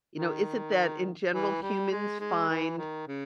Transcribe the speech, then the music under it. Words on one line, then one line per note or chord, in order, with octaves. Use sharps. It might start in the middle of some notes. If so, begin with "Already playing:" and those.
You know, is it that in general humans find
D#3
E3
G3
G#3
G#3
E3
D#3
C#3